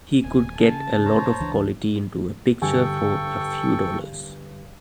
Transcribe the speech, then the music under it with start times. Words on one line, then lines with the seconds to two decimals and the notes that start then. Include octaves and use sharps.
He could get a lot of quality into a picture for a few dollars.
0.24 D1 G#5
0.60 C#3 A5
1.05 C5 C#5 A#5
1.40 C#2 E3 D4
2.62 G2 D3 A4 G5 G#5 C#6